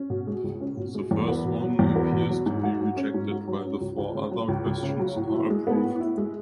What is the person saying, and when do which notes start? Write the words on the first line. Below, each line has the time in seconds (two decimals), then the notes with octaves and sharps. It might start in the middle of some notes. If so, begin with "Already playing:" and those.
The first one appears to be rejected while the four other questions are approved.
Already playing: C#4
0.10 B2
0.27 G#3
0.44 C#2
0.60 C#4
0.77 B2
0.95 G#3
1.11 E2
1.28 B3
1.45 B2
1.62 F#3
1.79 E2
1.95 B3
2.13 B2
2.29 F#3
2.46 G#2
2.63 F#4
2.80 F#3
2.97 C#4
3.14 G#2
3.31 F#4
3.47 F#3
3.64 C#4
3.81 C#2
3.98 C#2
4.15 C#3
4.31 F#3
4.48 C#2
4.66 C#2
4.83 C#3
4.99 F#3
5.16 A2
5.34 E4
5.50 G#3
5.67 B3
5.84 A2
6.00 E4
6.17 G#3